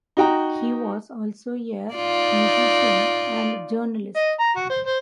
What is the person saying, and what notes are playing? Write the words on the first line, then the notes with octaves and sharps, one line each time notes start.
He was also a musician and journalist.
D#4 F#4 G5 A#5
D#4 F4 D5
D#5
A#5
F#4
C5
C5